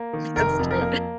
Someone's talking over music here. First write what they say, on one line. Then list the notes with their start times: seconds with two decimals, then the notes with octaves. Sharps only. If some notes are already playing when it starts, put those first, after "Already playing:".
that's true.
Already playing: A#3
0.13 D#3
0.36 F1 A#4
0.59 F2
0.71 A#4
0.82 A#3